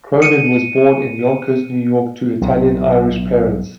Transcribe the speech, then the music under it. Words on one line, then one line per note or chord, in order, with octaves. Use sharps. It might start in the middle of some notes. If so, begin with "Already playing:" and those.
Cronin was born in Yonkers, New York to Italian-Irish parents.
C#7 D#7
B1 A2